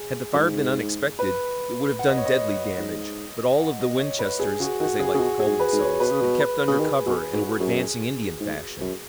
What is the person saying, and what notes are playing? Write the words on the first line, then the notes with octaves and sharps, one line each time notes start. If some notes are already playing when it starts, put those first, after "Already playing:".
Had the fire been unexpected it would have done deadly damage, but all of the Winchesters, as they liked to call themselves, had kept under cover, and were advancing Indian fashion.
Already playing: G#4
F#2
G#2
B4
F#5
D#5
C#5
D#5
G#2
F#5
D#5
C#5
B4
B2 G#4
C#3 F#4
D#3 F#4
C#3 G#4
C#3
B2 F#4
G#4
G#2
B4
G#2
C#5
B2 B4
C#3
B2
B4
C#3
D#3 G#4
B2 G#4
G#2 F#4
F#2 G#4
G#2
F#2